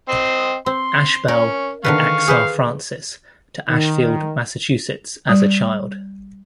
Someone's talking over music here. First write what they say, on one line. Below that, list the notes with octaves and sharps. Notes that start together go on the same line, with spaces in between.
Ashbel and Achsah Francis, to Ashfield, Massachusetts as a child.
C4 D#5
C4 C6
C#4 A#4
D3 D#3 B4 F5 C#6
G#4 B4 C5
D#3
G3